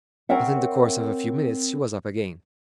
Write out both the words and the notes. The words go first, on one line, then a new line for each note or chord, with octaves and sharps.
But in the course of a few minutes she was up again.
C4 A#4 C#5 E5 F#5